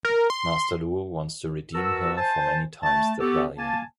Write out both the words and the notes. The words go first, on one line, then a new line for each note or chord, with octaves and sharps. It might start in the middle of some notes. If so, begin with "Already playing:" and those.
Master Luo wants to redeem her for many times that value.
A#4
C6
F#4 A#4 B4 F#5 A5 E6
C5 G#5 A5
A3 A5
B3 F#4 G4 A4
A#3 G#5 A5